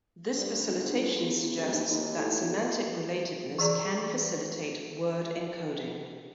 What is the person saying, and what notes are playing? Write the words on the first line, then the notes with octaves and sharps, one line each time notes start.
This facilitation suggests that semantic relatedness can facilitate word encoding.
G2
G1
G1
E2
D1
D#2
D#2
A2
B1
E3 G#4 D5 A#5 C#6